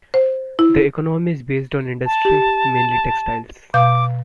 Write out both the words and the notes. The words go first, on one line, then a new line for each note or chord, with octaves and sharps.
The economy is based on industry, mainly textiles.
C5
E4
A5
G4
B2 F5 D6 G6